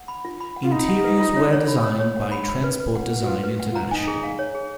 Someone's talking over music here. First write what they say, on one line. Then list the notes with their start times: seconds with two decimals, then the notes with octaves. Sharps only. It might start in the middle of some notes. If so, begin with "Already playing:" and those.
Interiors were designed by Transport Design International.
Already playing: F#5
0.08 B5
0.25 F4
0.40 B5
0.56 F#5
0.63 F4
0.72 D#4 B5
0.88 F#5
1.04 B4
1.20 F4
1.36 C#5
1.53 C#5
1.68 B5
1.84 C#5
2.00 C#5
2.16 F#5
2.32 B5
2.48 B5
2.64 B4
2.80 B4
2.95 F#5
3.11 F#5
3.20 F#4
3.27 F4 B4
3.43 F#4 B4
3.60 F#5
3.70 F4
3.75 A#5
3.91 D#4 G#5
4.07 G#4
4.23 F5
4.39 C#5
4.55 G#4